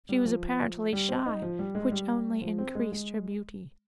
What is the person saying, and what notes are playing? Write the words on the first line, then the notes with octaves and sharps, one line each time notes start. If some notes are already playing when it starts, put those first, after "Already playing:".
She was apparently shy, which only increased her beauty.
G3
F3
G3
C4
D#4
F3
G3
G#3
G3
F3
C4
G#3
G#3